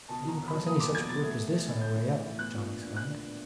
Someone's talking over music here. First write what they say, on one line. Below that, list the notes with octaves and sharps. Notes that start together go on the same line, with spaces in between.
"We didn't cross any such brook as this on our way up!" John exclaimed.
B2 A5
B2
A#5
E2
F#3 B5
A#3 D#6
E2 D6
B2 G#6
B2 A6
A3
A3
A3
A2
A2 G6
A2
E3
A2
B3 F#6
A#2
D4
A#2
A#2 F#6
D4
B3